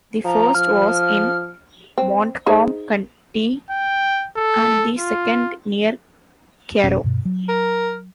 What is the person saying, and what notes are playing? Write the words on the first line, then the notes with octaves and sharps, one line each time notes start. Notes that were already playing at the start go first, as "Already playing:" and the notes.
The first was in Montcalm County and the second near Caro.
F3 A#5
F3 F6
C4
D#4 G#4 C5
G5
A4
F4
F1 B2 C#4
G2 B2
F#3
A#4